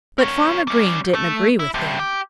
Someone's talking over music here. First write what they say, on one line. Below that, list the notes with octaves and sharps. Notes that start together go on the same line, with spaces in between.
But Farmer Green didn't agree with him.
A#4 C#5
G3 C#4
A3
E4
G2 C3
G4